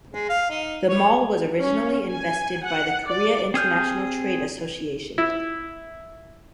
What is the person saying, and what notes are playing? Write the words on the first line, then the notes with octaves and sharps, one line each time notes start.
The mall was originally invested by the Korea International Trade Association.
G#3
F5
D#4
C#5
C#4
G#5
F#5
D5
C4 G#4 F6 G6
E4